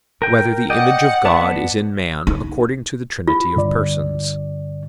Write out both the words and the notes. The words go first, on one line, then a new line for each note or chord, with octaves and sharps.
Whether the Image of God Is in Man According to the Trinity of Persons?
A#4 G5
D5 D#5 F#5 G5
B3 D5 A5
D#4
F4
G2 D3 D5